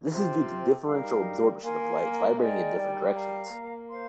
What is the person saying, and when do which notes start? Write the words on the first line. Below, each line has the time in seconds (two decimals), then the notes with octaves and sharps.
This is due to differential absorption of light vibrating in different directions.
0.12 C3 F4 C5 G5 C6
0.87 G3 D#4 A#4 F5
1.63 A#3 A#4 F5 G#5 C6
2.01 A#3
2.38 G#3 D#4 A#4 D5 G5
2.76 G3
3.13 A#4 F5 A#5
3.51 A#3
3.89 C5 F5 C6